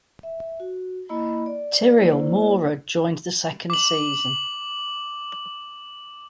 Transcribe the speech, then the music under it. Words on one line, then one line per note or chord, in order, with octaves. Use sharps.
Tiriel Mora joined the second season.
E5
F#4
A#3 E4 D#5 B5
D5
A#3 E4 C5 D5
D6 F#7